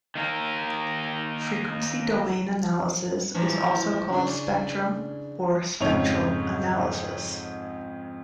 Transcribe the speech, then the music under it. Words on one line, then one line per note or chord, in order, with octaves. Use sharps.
Frequency domain analysis is also called "spectrum-" or "spectral analysis".
D#3 A#3 D#4
A2 E3 F3
C#3 D4
F2 G#2 C#3 D#4 C#5 F7